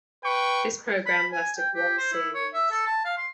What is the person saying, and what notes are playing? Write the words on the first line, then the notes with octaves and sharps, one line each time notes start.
This programme lasted one series.
B4 G5 C#6
B5
G#5
G5
G4
C5
E4
C#5
E5
A4
A5
F5
C6